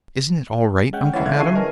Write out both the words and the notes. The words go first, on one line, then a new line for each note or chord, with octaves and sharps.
"Isn't it all right, Uncle Adam?"
G#3 C#4 F#5 G5
E3 C#4 E4 C#5 F5 F#5 A6
D3 G#6
G#4 E5 A5 C#6 C7 D#7
C#4 A#4 B4 D#5 G#5